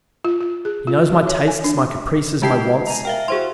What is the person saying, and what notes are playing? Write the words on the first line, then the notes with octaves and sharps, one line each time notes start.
He knows my tastes, my caprices, my wants.
F4
F4
G#4
F4
F#4
C#5
G#5
D4
G#3 D#4 E4 G4 A5 C7
G#5 A#5
A#4 E5 F5 G5
E4 F#4 G#4 C5 C6